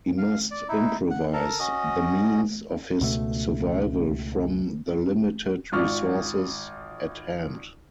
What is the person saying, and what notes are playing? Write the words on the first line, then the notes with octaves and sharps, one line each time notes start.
He must improvise the means of his survival from the limited resources at hand.
F5
D5
D#4 E4
F#5
A4 A#4
C#4 F#4 D#5 D#6
C#2 B2 A3
G#1 F4 D5 C#6 F6